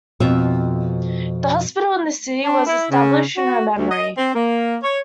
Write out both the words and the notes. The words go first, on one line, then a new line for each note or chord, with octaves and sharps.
A hospital in the city was established in her memory.
F2 B2 F4 E5
D4
E4
C#3
F#4
D2
D#5
C4
A#3
C#5